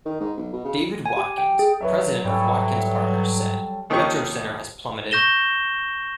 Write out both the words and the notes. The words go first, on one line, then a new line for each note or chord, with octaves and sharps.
David Watkins, president of Watkins Partners, said, Metrocenter has plummeted.
D#3
G#2
B1
B2
C#3
G#5
G4
G5
G#4
F#3 B4 C#5 E5
G#2 G3 C#4 A4
D#2 D#3 F3 C#4 G4 C#6
C#6 G6 A#6 E7 G7